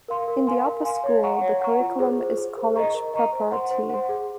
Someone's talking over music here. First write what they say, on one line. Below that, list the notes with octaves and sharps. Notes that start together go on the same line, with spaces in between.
In the Upper School, the curriculum is college preparatory.
A#4 F5 C6
A#4
F5 G#5 C6
A#4
F5 G#5 C6
C#5
F#5 A#5 C#6
C#5
F#5 A#5 C#6
F4
G#4 C5
F4
G#4 C5
A#4
D#5 A#5 C#6
A#4
D#5 A#5 C#6
C5
F#5 C6
C5
F#5 C6
G#4